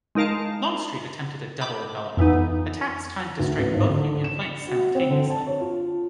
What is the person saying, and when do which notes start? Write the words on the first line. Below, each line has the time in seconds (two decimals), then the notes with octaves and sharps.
Longstreet attempted a double envelopment: attacks timed to strike both Union flanks simultaneously.
0.15 G#3 D#4 A#4 F5 A5
1.61 B5 D6 G6
2.17 F2 E3 B3 D#4
3.40 D2
3.57 A1
3.73 G#1
3.89 D3
4.24 E7
4.41 C#7
4.67 F#4
4.95 C4
5.10 D3
5.30 A5
5.47 C#5
5.61 F4